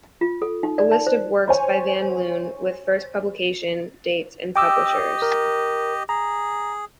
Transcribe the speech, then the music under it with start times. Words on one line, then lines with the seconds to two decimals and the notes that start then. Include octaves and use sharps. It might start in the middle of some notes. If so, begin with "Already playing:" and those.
A list of works by van Loon, with first publication dates and publishers.
0.21 F4
0.42 A4
0.63 D#4
0.78 D5
0.92 A5
1.07 C5
1.48 C5 C#5 G#5
4.56 G4 D#5 G5 D6 E6
5.22 A#4
6.09 G#4 A#5